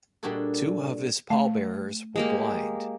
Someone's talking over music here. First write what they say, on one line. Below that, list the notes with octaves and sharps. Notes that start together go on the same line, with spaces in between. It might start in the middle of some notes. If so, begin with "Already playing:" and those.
Two of his pallbearers were blind.
A#2 G3 D4 F#4 G#4 A4
A3 F5
G#3 A#3 G4